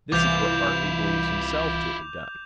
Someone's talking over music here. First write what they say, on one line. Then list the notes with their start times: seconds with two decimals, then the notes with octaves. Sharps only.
This is what Berkeley believes himself to have done.
0.12 C2 E3 E4 F4 D6 G6 F7